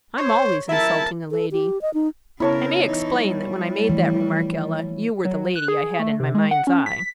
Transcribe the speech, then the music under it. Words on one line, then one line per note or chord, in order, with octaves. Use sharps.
'I'm always insulting a lady.'--I may explain that when I made that remark, Ella, you were the lady I had in my mind's eye.
C5 C#5
E4 A#4 E5 A5
A4
G4
D#5
D#4
C#3 B3 E4 A#4 C#5 A5
E3 D#4
G3
E3 F3 A3
F#3
F#6
G#4
A3
C3
G#3
F#5
C#4
B6